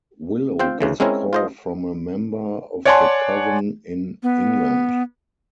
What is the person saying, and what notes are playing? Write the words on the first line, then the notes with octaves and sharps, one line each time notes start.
Willow gets a call from a member of the Coven in England.
C4 F4 F5 G5
D2 C#3 E3
G#3 C4 C#4 E4 A#4 C#5
F4 C5 D#5
C#5 D5 F#5 G#5 A5 C6
B3